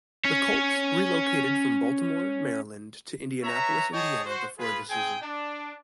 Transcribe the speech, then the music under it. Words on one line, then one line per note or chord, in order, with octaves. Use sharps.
The Colts relocated from Baltimore, Maryland to Indianapolis, Indiana before the season.
C#4 C#5
B4 C#5 E5 A#5
G#4 C#5 D#5 G5 A5
F#4 C5
F4 G#4 B4
C4 G#4 G5 G#5
D4